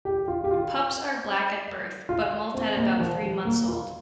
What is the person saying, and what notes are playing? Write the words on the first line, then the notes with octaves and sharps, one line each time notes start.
Pups are black at birth, but molt at about three months old.
G4
F4
G4
F4
F4
C4
A#3
F3
G3
A#3
F4